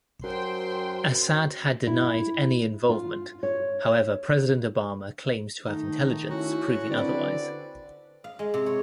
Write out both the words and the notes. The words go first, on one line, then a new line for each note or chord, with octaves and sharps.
Assad had denied any involvement, however President Obama claims to have intelligence proving otherwise.
F#2 C5 G5 C6
E4
F4
C#5
D#3 A3 D#4
C#4 E4 F#4
D3 C4 B4 D5
F5
G#3
C3
C#5